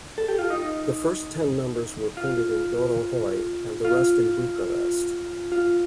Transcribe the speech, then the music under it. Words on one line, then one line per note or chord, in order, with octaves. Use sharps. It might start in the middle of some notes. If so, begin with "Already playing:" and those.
The first ten numbers were printed in Dorohoi, and the rest in Bucharest.
A4
G4
F4
D#4
F4
F4
F4